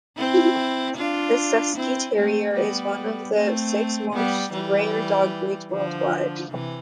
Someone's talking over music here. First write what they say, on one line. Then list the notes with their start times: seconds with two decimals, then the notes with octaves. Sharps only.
The Cesky Terrier is one of the six most rare dog breeds worldwide.
0.17 C4 E4
0.97 D4 F4
1.75 C4 E4
2.15 A3 C4
2.55 G3 B3
3.34 A3 C4
4.13 G3 B3
4.52 E3 G3
5.71 D3 F3
6.50 C3 E3